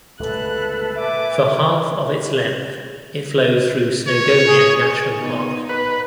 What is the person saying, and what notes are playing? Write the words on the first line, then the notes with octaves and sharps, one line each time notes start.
For half of its length it flows through Snowdonia National Park.
G1 C#2 A3 A4 B4 B5 F#6
A#2 E5 G#5 D6
C#5
G#4
B3 D#4
B4